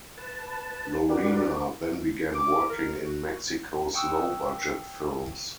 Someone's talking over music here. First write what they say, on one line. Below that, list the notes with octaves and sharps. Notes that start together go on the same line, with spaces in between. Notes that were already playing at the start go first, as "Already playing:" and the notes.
Lorena then began working in Mexico's low-budget films.
B4 A5
D4 F#4 G4 A#4 B4 D5
D6
A#4
F#4
F#5 G5 C#6 D#6 E6